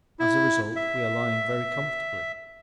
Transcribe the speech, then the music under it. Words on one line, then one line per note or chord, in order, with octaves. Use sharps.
As a result we are lying very comfortably.
E4
E5